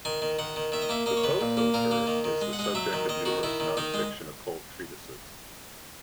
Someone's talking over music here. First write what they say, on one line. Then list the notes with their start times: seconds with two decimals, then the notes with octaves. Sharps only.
The Poe Toaster is the subject of numerous non-fiction occult treatises.
0.05 D#3 G#5
0.22 D#3
0.39 D#3 F#5
0.56 D#3
0.72 D#3 E5
0.82 D#5
0.89 A#3 E5
1.06 A#3 D#5
1.17 C#5
1.23 D#3 B4
1.41 A#2
1.57 A#3
1.74 A#2 A#4
1.91 A#3
2.07 D#3
2.24 D#3
2.41 G#3
2.53 F#5
2.59 G#3
2.64 F#5
2.75 F#3 E5
2.93 D#3
3.09 D#3 D#5
3.25 D#3 F#4
3.43 D#3 E4
3.60 D#3
3.77 D#3 D#4
3.94 G#3